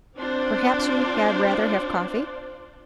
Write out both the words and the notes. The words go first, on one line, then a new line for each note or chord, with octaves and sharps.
"Perhaps you had rather have coffee?"
C4 D4 F4 C5 D5